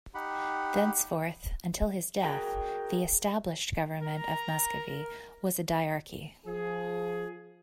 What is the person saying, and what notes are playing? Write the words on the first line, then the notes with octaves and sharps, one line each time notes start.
Thenceforth, until his death, the established government of Muscovy was a diarchy.
D#4 G4 F#5 B5
F#4 G#4 A#4 D5 G5
A#4 A#5
F3 G#4